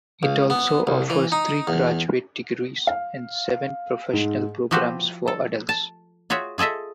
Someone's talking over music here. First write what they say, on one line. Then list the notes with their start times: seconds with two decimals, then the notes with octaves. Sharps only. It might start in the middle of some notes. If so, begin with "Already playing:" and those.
It also offers three graduate degrees and seven professional programs for adults.
0.23 C#2
0.50 B3
0.87 C2
1.10 E3
1.32 D#4
1.67 E2
2.87 F5
4.13 G#2
4.71 F3 E4 F#4 G4 B4 C5
5.28 A4
5.69 A5
6.30 F4 F#4 G#4 C#5 E5
6.58 F4 G#4 A4 D#5 E5